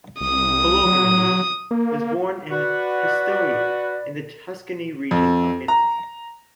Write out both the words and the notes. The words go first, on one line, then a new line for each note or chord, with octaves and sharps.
Bolognini was born in Pistoia, in the Tuscany region of Italy.
C2 D#6
F#3
A#3
F#4 B4 D5
F2
A#5